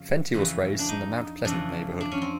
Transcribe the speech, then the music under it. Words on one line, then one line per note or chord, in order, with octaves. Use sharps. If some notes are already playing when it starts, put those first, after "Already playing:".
Fenty was raised in the Mount Pleasant neighborhood.
Already playing: F2 C#3 F3
F2 C#3 E3
D4
D#4
F2 C#3 E3 D4
D4
C#4
C4